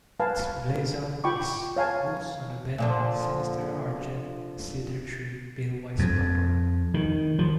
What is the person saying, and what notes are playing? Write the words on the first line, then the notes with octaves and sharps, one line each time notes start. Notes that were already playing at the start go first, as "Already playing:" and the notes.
Its blazon is "Gules on a Bend Sinister Argent a Cedar Tree palewise proper".
B4 F5 G#5 A5
F4 G5 B5 C#6 D6
C#5 F5 G#5 A5
A#2 D3 F3
F2
D#3
F3